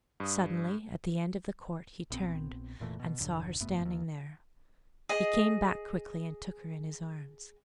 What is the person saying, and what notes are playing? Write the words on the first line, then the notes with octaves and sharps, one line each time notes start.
Suddenly, at the end of the court, he turned, and saw her standing there; he came back quickly, and took her in his arms.
G2 D#6
A#1 B3 C4
F1 A#2 E3 A3
B2
D#1 F#2 D3
F1 G2 A3 B3
D#2
G#4 D#5